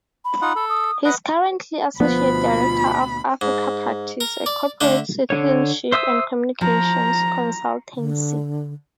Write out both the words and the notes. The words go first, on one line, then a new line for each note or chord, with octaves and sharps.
He is currently Associate Director of Africapractice, a corporate citizenship and communications consultancy.
B5
D#4 F4 F#5
A4
D#6
B4 D#5 F#5
D2 B2 F3 B3 B5
G#2
A#4
D5
D3 A3 D4
D3 C#5
C5 E5 D#6 E6
F3 A#5
D3